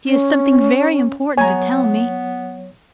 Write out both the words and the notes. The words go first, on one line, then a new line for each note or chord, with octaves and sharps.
"She has something very important to tell me."
C#4
F#3 B3 C#5 G#5 A#5